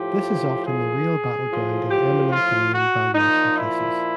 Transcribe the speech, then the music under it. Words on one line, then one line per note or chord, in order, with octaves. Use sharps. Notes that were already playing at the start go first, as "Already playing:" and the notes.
This is often the real battleground in eminent domain valuation cases.
Already playing: A2 F3 G4
G#4
A2 F3
G4
F4
F#4
A#2 F3 D#4
E4